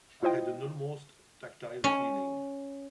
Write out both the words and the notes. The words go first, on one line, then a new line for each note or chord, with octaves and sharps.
I had an almost tactile feeling.
E4 F4 C5 D#5 G5
C#4